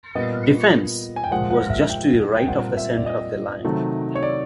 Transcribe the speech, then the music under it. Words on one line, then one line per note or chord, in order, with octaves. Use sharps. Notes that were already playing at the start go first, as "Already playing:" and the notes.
"Defence" was just to the right of the centre of the line.
A#2 G3 B3 D#5
G#5
G5
A#2 F3 G#3 F#5
F#5
E5
G5
G5
A#2 G3 C4 F#5
E5
D5
D#5
C3 D#3 F#3 A3
C#5
D5